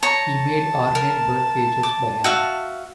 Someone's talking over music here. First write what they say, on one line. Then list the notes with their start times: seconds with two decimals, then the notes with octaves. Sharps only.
He made ornate birdcages by hand.
0.03 C#5 A5 A#5
0.95 A#4
1.83 D6
2.24 F#4 E5 F5